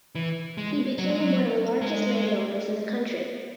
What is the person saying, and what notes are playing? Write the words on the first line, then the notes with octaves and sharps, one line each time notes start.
He became one of the largest landowners in the country.
E3
G#3
F#3
G#3
F#3
G#3